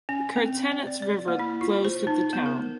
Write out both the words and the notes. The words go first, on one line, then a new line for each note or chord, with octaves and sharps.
The Kerzhenets River flows through the town.
C#4
C4
D5
D5
D5
A#3
E4
F4
C5
D#4
B3
A#4